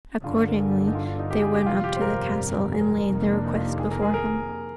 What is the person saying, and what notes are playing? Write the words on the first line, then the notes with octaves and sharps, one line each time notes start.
Accordingly they went up to the castle and laid their request before him.
G1 G2 D3 F4
A#4
G#4
D#4
F4
F4
D#4
G4
G#4
G4
G1 F2 C3 G3 F4
G4
C5
A#4
G#4
A#4
G#4
A#4
F2 C3 D#3 A#3
D4
D#4
F4
G4
G#4
A#4
G#4
A#4